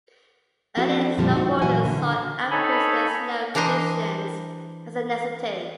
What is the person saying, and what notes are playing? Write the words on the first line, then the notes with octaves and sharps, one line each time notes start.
Early snowboarders sought out pristine snow conditions as a necessity.
F3 C4 E4 F#4 A4 C5
F2 A#2 D3 F3 G3
D#4 F#4
A#2 E3 F#3 E4 F#4 G#5
D3
D#4 A4 C#5 G#5 B5
E3 D4 A#4 C5 D#5